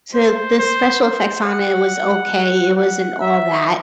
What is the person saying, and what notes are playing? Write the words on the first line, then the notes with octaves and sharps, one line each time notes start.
So the special effects on it was okay, it wasn't all that.
C5
C5
C5
F#5
F#5
E5